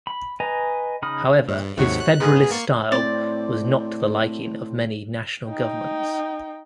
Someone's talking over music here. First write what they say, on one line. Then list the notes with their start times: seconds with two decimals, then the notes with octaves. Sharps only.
However his federalist style was not to the liking of many national governments.
0.07 B5
0.40 B4 D#5 G#5 A#5
1.02 C#3 D#4 B5 D#6 F6
1.48 G2
1.77 D#2 G#2 C3 A3 F#4 C#5
2.00 F#6
2.20 G#2 B3 G#4
2.51 A#3 C#6 C7
2.92 A2 C4 D5
5.49 D#4 G5